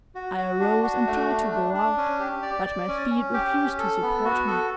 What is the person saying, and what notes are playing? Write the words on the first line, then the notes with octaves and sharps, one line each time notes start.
I arose and tried to go out, but my feet refused to support me.
F#4
F#4
D4
F#4
A3
D4
D4
D4
C#4
G4
D5
D5
C#4
C#4
G4
C#4
A4
B3
F#4
A4